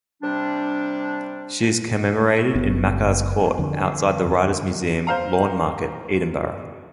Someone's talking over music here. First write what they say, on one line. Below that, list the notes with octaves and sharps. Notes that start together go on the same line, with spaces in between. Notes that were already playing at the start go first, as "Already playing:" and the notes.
She is commemorated in Makars' Court, outside the Writers' Museum, Lawnmarket, Edinburgh.
C3 G3 D4
F#1 B3
F2 D3
C5 F5 A#5